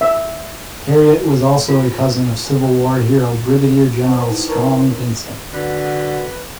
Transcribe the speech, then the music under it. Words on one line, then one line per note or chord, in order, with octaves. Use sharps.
Harriet was also a cousin of Civil War hero Brigadier General Strong Vincent.
E5
F4
B4 C5 F#5 A5 C#6
D#4 E4
A#4 B4 C#5 A5 A#5 C#6
D3 F#4 B4